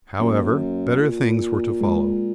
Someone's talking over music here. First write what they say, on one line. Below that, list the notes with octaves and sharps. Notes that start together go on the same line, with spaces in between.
However, better things were to follow.
F#2 A#3
A#2
G#3